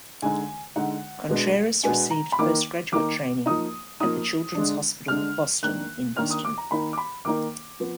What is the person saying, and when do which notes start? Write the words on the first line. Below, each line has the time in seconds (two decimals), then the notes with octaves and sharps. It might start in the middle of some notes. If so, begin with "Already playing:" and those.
Contreras received post-graduate training at the Children's Hospital Boston in Boston.
0.22 D3 G#3 D#4 G#5
0.76 D3 G#3 D#4 F#5
1.29 B2 G#3 B3 D4
1.83 B2 G#3 B3 D4 G#5
2.11 A#5
2.32 B5
2.39 D#3 A#3 D#4 D6
2.92 D#3 A#3 D#4 D6
3.46 F3 A#3 D#4 D#6
4.00 F3 A#3 D#4 D#6
4.55 D3 G#3 D4
5.08 D3 G#3 D4 F6
5.62 D#3 A#3 D4 F#6
6.17 D#3 A#3 D4 F6
6.30 D#6
6.45 D6
6.58 A#5
6.71 D#3 A#3 D#4 B5
6.93 D6
6.98 B5
7.25 D#3 A#3 D#4 D6
7.80 F3 B3